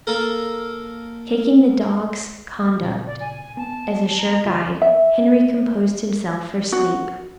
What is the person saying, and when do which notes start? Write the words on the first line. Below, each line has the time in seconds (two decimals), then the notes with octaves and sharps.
Taking the dog's conduct as a sure guide, Henry composed himself for sleep.
0.07 A#3 A4 A#4
2.82 A#2 C#3
3.06 D5
3.20 G#5
3.57 B3 A5
4.18 A#5
4.45 G#1 D#2 D3 F4
4.82 E5
6.72 F#4